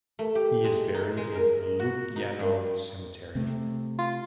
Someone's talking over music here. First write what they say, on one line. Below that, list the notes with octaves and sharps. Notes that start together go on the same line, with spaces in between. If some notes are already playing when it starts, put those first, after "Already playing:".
He is buried in Lukyanov Cemetery.
A3
G4
G#3
D#4
G#3
A#4
F#4
D#4
F#2
C3 A3
F4